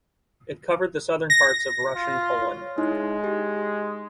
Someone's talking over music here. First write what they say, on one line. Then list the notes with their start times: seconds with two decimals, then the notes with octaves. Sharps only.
It covered the southern parts of Russian Poland.
1.30 A#6
1.95 F4
2.42 C#5
2.78 G#3 D#4 E4
3.24 G4